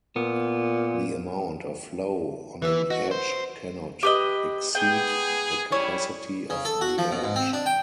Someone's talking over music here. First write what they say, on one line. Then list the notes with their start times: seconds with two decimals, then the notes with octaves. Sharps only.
The amount of flow on an edge cannot exceed the capacity of the edge.
0.16 A#2 B3
2.62 E3 B4 E6
2.90 F#4 D#5
3.11 C5
4.03 G4 B4 D#5
4.75 B3 G#4 G5
5.72 G3 C#4 E4 C#5
6.50 C#3
6.65 A4
6.81 F#4
6.98 F3
7.11 B2
7.24 G#2
7.36 C4
7.53 D4
7.66 G5